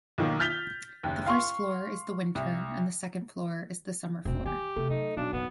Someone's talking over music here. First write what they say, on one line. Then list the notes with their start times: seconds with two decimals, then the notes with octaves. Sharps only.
The first floor is the winter and the second floor is the summer floor.
0.18 B1 D#3 A#3
0.40 F6 G6 A6 B6 F7 G7
1.03 F#1 D#2
1.26 F5 C6 C#6
2.35 C2
4.25 E1 D2 B2 C4
4.46 D#3 G4 G#5
4.76 C3 A3
4.90 F#3 D#4
5.17 B1 B2 D4
5.33 E2 A#2 B3